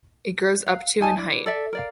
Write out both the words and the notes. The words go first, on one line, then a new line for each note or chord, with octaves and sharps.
It grows up to in height.
F5
D#4 G#5 A5
D4 E4
A4 D5 E5
A#4 D5 F5